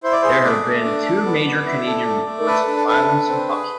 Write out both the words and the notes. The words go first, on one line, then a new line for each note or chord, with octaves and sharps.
There have been two major Canadian reports on violence in hockey.
E4 C5
D5
G#4 C5
A3 D5
A3
D4
A4
B3
B3
E4
A4
A3
A3
A4 B4
D4
A4
A4 B4
D4
C4
G#4